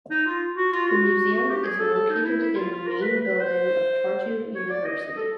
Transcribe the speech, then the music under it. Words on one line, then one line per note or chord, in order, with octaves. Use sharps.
The museum is located in Main building of Tartu University.
D#4
F4
F#4
F4
F#4
F#4
G4
G#4
A4
A4
D#4
E4
E4
F4
F4
A#4
B4
B4
C5
C#5
D5
D#5
D#5
A4